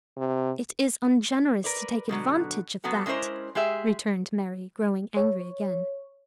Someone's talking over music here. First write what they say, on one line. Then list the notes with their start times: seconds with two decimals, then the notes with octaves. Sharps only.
"It is ungenerous to take advantage of that," returned Mary, growing angry again.
0.17 C3
1.64 A#4 B4 D5
2.09 B2 D3 F#3
2.84 F#3 B3 F#4 A4
3.06 G#3 C#4 E4 A#4 C5 D5
3.55 G#3 G4 G#4 E5
5.17 C#5